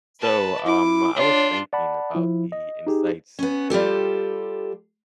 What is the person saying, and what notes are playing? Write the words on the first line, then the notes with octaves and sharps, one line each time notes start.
So, um, I was thinking about the insights, uh,
B4 A5
E4 D6
D4 F4 C#5
D5 F#5 A5 B5
F3 E4
D#5
D#4 G4 G#4
B3 C#4
G3 F4 G4 A4